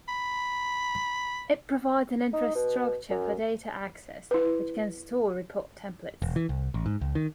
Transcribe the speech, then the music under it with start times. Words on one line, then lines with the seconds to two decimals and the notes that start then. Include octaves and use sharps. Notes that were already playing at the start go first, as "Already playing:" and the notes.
It provides an infrastructure for data access, which can store report templates.
0.08 B5
2.33 D#4
2.55 B2
3.10 F#2
4.31 E4 B4
6.22 E1
6.36 E3
6.49 C2
6.74 A1
6.86 G#2
7.01 C#2
7.15 D#3